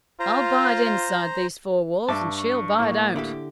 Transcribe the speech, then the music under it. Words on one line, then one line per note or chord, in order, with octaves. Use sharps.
I'll bide inside these four walls, and she'll bide out.
F4 C5 A#5
G2 D4 E5 A5 C#6 D6
A2 A#3
D3 E4 G4